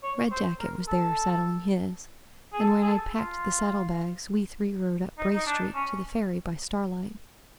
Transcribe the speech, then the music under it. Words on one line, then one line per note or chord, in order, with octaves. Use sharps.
Red Jacket was there saddling his, and when I'd packed the saddle-bags we three rode up Race Street to the Ferry by starlight.
C#5
C5
A#4
A4
G#4
A4
G#4
A4
F4
D#4
D#4
D4
C#4